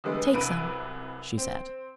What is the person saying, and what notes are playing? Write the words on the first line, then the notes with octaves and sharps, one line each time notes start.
"Take some," she said.
D3 E3 G3 G#3 B3
C2 F#2 C3 B4 D7 D#7
C4